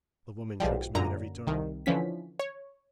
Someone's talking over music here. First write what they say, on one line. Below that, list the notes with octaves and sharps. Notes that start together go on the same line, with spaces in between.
The woman tricks me at every turn!
B1 G#2 F3 G3
F#2 A#2 D3 A#5
C2 D#3
D3 E3 F3 C#4 B6
C#5